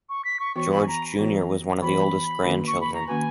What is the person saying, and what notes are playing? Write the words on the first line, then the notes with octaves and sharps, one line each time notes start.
George Junior was one of the oldest grandchildren.
C#6
B6
C#6
E3 B3 F#4 C#5 C#6
B5
G#5
A#5
E3 B3 F#4 C#5
E3 B3 F#4 C#5 B5
D#3 A#3 C#4 F#4 B4
C#6
B5
A#5
D#3 A#3 C#4 F#4 B4 G#5